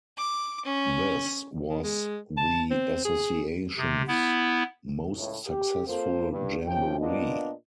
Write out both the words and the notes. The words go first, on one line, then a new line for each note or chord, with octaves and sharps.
This was the Association's most successful jamboree.
D6
C#4
D#3
G#3
A5
C4
G#4
C3
B3 E4
C#2 A2
G4
A#3 C4 F4 A4 A#4 C5
G2
D#2 C3 F3 C#4 G5
A#2 B3 D4 F4 D#5